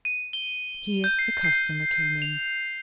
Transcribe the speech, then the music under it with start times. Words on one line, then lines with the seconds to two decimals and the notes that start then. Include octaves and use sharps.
Here a customer came in.
0.05 D#7
0.33 G7
1.04 G6
1.19 C7
1.44 C7
2.22 F7